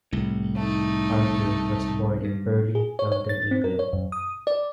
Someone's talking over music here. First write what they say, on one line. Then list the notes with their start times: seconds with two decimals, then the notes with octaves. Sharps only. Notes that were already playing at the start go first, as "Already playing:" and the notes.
Arthur was born in Purley, London, England.
0.13 C2 A2
0.56 A3 D#4
2.25 G2
2.75 G#4
2.99 C#5
3.12 C#5
3.29 A6
3.51 C4
3.64 A#4
3.79 C#5
3.93 F#2
4.12 D#6
4.47 D5